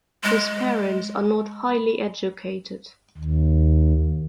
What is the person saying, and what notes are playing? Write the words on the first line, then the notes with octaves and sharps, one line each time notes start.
His parents are not highly educated.
G#3
D#2